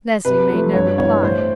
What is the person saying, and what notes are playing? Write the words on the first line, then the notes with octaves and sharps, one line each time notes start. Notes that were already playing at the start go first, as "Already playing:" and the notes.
Leslie made no reply.
C3 B4
F3 A3 B4
G2 C#5
E3 G3 B3 C#5
A2 C5